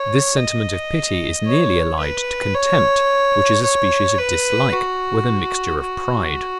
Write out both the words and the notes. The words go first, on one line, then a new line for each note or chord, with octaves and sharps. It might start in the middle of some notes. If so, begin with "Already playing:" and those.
This sentiment of pity is nearly allied to contempt, which is a species of dislike, with a mixture of pride.
Already playing: C#5
D#5
C#5
B4
C#5
C#5
B4
F#4
F#4